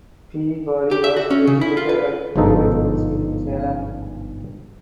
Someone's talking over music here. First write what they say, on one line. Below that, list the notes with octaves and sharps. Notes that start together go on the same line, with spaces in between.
Peabody was educated at private schools in Salem.
G4
E5
F#4
C#4
C#3
E4
F4
B4
G1 G#2 B2 F3 D#4 A4